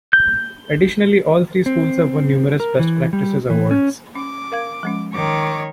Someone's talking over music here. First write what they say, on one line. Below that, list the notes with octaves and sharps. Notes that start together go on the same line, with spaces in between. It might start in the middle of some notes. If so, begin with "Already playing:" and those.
Additionally all three schools have won numerous Best Practices awards.
G6
C4
A#4
E3
G3
E3
C#4
C#4 D6
A#4 F5 G#6
F3 G#3 C#4
D#3 C#5 D6